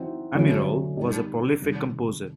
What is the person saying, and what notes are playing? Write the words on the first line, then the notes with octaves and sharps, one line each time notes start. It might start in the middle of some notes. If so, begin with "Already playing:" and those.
Amirov was a prolific composer.
Already playing: E3 C4 D#4 F#4
D3 F#3 A3 C#4
G3 B3 D#4 G4
C3 D#3 G3